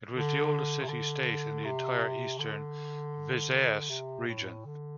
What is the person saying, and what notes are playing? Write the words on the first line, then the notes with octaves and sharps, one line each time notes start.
It was the oldest city-state in the entire Eastern Visayas region.
D3
C3
D3
C3
D3
C3
A2
D3